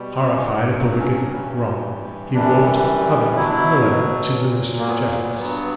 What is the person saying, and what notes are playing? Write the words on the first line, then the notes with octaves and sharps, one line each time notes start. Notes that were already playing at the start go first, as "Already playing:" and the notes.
Horrified at the wicked wrong, he wrote of it in a letter to the Minister of Justice.
Already playing: B2 G3
B3
G2 F#3 C#4
B3
C#4
C#4
G2 E3 G3 C#4
F#2 E3 G3 D4
B2 F#3 E4
D4
E4
A#2 F#3
A#3
B3
A#3
B3
G2 F#3 B3